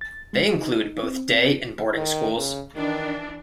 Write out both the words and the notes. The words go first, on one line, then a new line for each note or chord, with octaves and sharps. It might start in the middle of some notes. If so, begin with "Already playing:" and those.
They include both day and boarding schools.
A6
G#3
D#4
C4
D#3
C#3
D#3 E3 D4